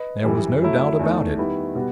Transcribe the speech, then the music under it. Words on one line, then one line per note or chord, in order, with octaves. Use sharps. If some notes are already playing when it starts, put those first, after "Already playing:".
There was no doubt about it.
Already playing: B4 D#5
F#2 E3 G3
F#3 A3 E4
E2 D#3 A3
D#3 G3 B3 E4
B2 G3 B3 F#4